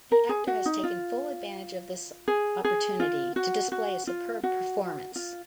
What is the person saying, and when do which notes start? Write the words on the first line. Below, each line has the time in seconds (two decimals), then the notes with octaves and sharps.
The actor has taken full advantage of this opportunity to display a superb performance.
0.12 A#4
0.29 G#4
0.47 F#4
0.66 D#4
0.84 F4
2.28 G#4
2.65 G#4
3.00 F4
3.36 F#4
3.72 F#4
4.07 F4
4.43 F#4
5.16 F4